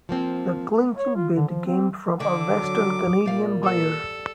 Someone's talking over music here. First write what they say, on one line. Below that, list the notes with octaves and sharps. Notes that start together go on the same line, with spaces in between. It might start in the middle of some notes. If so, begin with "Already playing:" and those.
The clinching bid came from a western Canadian buyer.
F3 A#3 C4
C#5
F4
D3
F3
C4
D3 D6
F#3
A#2 G3 A#4 F5
A4